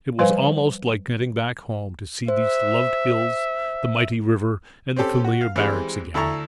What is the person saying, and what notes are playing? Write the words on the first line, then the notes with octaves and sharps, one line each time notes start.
It was almost like getting back home, to see these loved hills, the mighty river, and the familiar barracks again.
F3 G3 B4 C5 F5 G#5
C5 E5
C4 C#4 G4 A4
F#4
F5
E3 G3 G#3 C4
D2 E4 A4 A5 A#5 C#6